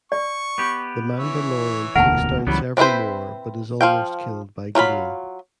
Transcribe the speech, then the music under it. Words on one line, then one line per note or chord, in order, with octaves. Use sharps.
The Mandalorian takes down several more but is almost killed by Gideon.
D5 C#6
B3 G4
E3 C#5 E5
E1 D2 A#2 A#4 F#5 A5
C#2 E3 F#3 G3 B3
C4 D4 E4 B4 C5
F3 F5 G5
F#3 F4 F5 B5